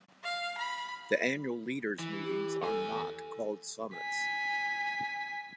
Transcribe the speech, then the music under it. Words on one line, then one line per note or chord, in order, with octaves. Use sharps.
The annual Leaders' Meetings are not called summits.
F5
B5
E3
G4
E2 A4 G#5
G#5 B6